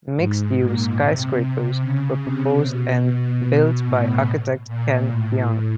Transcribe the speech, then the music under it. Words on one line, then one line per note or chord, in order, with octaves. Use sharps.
Mixed-use skyscrapers were proposed and built by architect Ken Yeang.
G#2
A#2
C3
C#3
C3
B2
B2
A2
A#2
A2